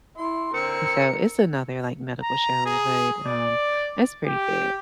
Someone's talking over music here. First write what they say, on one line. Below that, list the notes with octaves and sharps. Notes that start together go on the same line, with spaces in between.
and so it's another, like, medical show, but, um, it's pretty good.
E4 C6
D3 C4 A#4 C#7
A#5
G#4
D5
G4